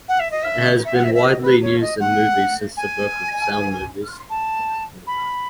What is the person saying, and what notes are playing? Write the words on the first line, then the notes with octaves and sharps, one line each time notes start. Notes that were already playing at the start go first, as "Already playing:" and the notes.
It has been widely used in movies since the birth of sound movies.
F#5
E5
D#5
E5
E5
F#5
E5
E5
D#5
B4
C#5
D#5
F#5
G#5
A5
B5